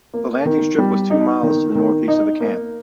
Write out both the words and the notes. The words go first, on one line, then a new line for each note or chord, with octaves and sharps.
The landing strip was two miles to the northeast of the camp.
A#3
D#3
G3
D#4
D#3
D#3
D#4
A#3